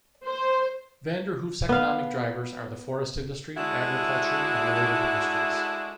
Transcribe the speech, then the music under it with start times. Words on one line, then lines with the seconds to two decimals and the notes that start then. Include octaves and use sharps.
Vanderhoof's economic drivers are the forest industry, agriculture, and related industries.
0.25 C5
1.69 B3 F5
3.57 G#3 A3 D4 E4 F#4